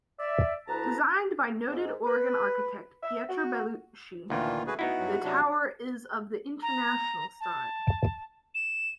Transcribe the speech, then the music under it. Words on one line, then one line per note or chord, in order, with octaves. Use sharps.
Designed by noted Oregon architect Pietro Belluschi, the tower is of the International Style.
D5 E5
D2 E4 B4 A5 A#5
G#2
B4
E5
F#4
D2 A#2 D#3 E3 F4
D4
A3 F#4 G#4 B4
D2 B3 D#4 E4 F#4
G2 F#3
C3 F#3 D4
A#5
A5
E7